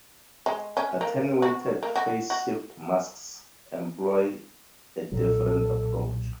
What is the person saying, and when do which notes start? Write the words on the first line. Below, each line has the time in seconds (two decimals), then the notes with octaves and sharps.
"Attenuated phase-shift masks" employ a different approach.
0.46 G#3
0.77 C#4
1.01 A#3
1.42 F#4
1.83 A#3
1.95 F#4
2.30 F#4
5.12 B1 A#2 F#3 A4